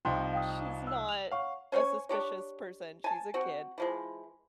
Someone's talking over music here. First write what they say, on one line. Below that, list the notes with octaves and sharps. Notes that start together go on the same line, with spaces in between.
she's not a suspicious person. She's a kid."
C2 F3 D#4 G5 C6
F5 G5 D#6
E6
F7 F#7
C#5 F5 F#5 C#6
C#4 C5 C#5 G#5
D4 G4 C#5
G#5 A5
C4 F#4
E3 F3 G#3